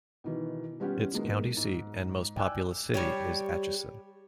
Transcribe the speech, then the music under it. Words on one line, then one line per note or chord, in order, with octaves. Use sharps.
Its county seat and most populous city is Atchison.
B2 D#3 E3
G3 B3 C#4 F4 G4 F#5
D#3 F#3 G#3 A#3 B3
G#2
D5 G5 G#5 D6 E6 F#6
G3 G4 C#5